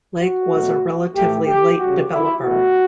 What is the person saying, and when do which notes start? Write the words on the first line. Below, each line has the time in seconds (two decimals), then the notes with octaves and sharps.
Lake was a relatively late developer.
0.19 F#4
0.51 B2 F#3 A3
1.14 A2 E3 A3 G4
1.47 G4
1.78 C#3 G3 F#4
2.11 E4
2.42 B2 A3 F#4